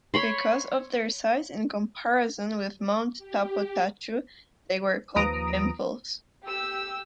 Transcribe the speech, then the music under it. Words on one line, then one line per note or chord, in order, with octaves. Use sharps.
Because of their size in comparison with Mount Tapotchau, they were called pimples.
C#5 B5 C6
G4
D#2 F3 B4 A#5 D#6 D7
G4 E6